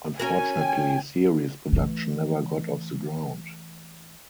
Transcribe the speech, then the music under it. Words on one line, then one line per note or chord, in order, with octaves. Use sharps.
Unfortunately series production never got off the ground.
C#4 F#4 A#4 G#5
G5
E3 A3